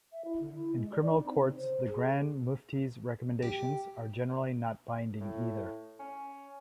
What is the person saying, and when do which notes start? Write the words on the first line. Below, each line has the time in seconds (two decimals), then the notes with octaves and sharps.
In criminal courts, the Grand Mufti's recommendations are generally not binding either.
0.13 E5
0.25 E4
0.40 D3
0.55 E4
0.76 G#3
0.91 D5
1.08 D#4
1.24 C4
1.42 C#3
1.56 C5
1.88 G#4
3.42 G4
5.21 A2
5.99 C#4